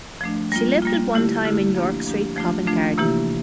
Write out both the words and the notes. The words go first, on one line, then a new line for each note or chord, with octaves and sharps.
She lived at one time in York Street, Covent Garden.
F3 A3 D4
G3 A#3 F4
G3 A#3 F4
D3 A3 E4 G4
D3 A3 E4 G4
F3 A#3 D4 G4
F3 A#3 D4 G4
F3 A3 D4 F4
F3 A3 D4 F4
C3 E3 A#3 E4 G4